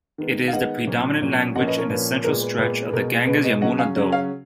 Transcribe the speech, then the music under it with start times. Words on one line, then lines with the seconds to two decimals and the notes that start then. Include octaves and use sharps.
It is the predominant language in the central stretch of the Ganges-Yamuna Doab.
0.18 D#3 G#3 B3
0.48 F5
0.52 D#3 G#3 B3 D#5 F#5
0.87 A#2 F#3 C#4
1.22 A#2 F#3 C#4
1.55 A#2 F3 A#3 C#4 D#5 F#5
1.67 B4 D#5
1.78 A#4 C#5
1.90 A#2 F3 A#3 C#4 B4
2.24 A#2 G#3 B3 A#4
2.42 B4
2.59 A#2 G#3 B3 B4
2.87 B4
2.93 B2 G#3 B3 A#4
3.27 B2 G#3 B3 B4
3.44 B4 D#5
3.61 C#3 F#3 C#4 D#5 F#5
3.78 F5 G#5
3.96 C#3 F#3 C#4
4.12 C#5 F5